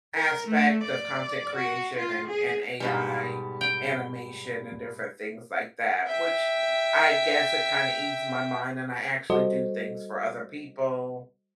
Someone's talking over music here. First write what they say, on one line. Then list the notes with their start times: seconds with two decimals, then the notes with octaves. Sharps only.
aspect of content creation and and AI animation and different things like that, which I guess it kinda ease my mind, and I actually do things for other people,
0.15 A#4
0.47 A3
0.84 D5
1.55 F#4
1.97 F4
2.28 G#4
2.80 G#2 B2 G3
3.61 G5
6.07 E5 G5
9.30 G3 F#4 A4 C5 D#5